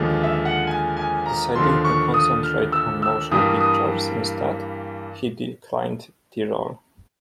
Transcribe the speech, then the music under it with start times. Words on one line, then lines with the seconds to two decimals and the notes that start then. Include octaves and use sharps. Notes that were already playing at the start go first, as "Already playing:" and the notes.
Deciding to concentrate on motion pictures instead, he declined the role.
Already playing: D#2 D3 F3 G#3
0.23 E5
0.45 F#5
0.67 G#5
0.97 G#5
1.26 A#5
1.55 D#2 D3 F3 C6
1.84 C#6
2.14 D#6
2.43 F6
2.72 E6
3.02 E6
3.31 G2 E3 G3 A#3 D#6
3.61 D#6